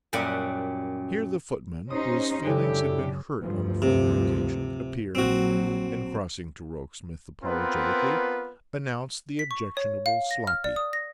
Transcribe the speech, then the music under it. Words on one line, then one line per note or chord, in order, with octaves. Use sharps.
Here the footman whose feelings had been hurt on the former occasion, appeared, and crossing to Rokesmith apologetically announced the objectionable Sloppy.
F#2 A#2 G3 F#5 B5
C#4 D#4 G4 C5 D#6
F#2 C#3 G#3 D4 E4 G4 A4 B4
D2 G2 F3
C3
A#1 F#3 C4 F#4
B3 C4 F4 A#4 B4
B6
C#6
C#5
F5
A#6
F6
D5
D#6
A#6